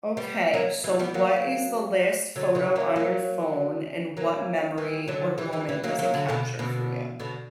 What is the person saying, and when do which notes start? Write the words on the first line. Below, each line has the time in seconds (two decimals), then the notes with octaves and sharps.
Okay, so, what is the last photo on your phone, and what memory or moment does it capture for you?
0.17 G3 B3
0.54 F#3 A#3
0.84 E3 G3
0.99 G3 B3
1.14 F#3 A#3
2.36 D3 F#3
2.55 C#3 E3
2.76 F#3 A#3
2.96 F#3 A#3
4.17 F#3 A#3
4.78 E3 G3
5.08 D3 F#3
5.38 E3 G3
5.53 E3 G3
5.69 E3 G3
5.84 F#3 A#3
5.99 F#3 A#3
6.14 D3 F#3
6.29 B2 D3
6.59 B2 D3
7.20 B2 D3